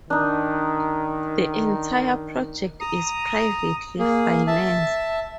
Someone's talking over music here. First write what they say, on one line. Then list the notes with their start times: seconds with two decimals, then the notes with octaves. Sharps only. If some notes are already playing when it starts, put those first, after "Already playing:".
The entire project is privately financed.
0.10 D#3 D4 D#4
2.80 A#5 D#6
3.99 A#3 G#4
4.47 E5 A5